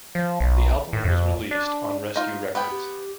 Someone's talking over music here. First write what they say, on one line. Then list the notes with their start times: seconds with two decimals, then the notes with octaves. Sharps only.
The album was released on Rescue Records.
0.15 F3
0.40 B1
0.93 A2
1.04 F2
1.51 D4
2.16 D#4 F4
2.55 B3 B4 G5
2.71 G4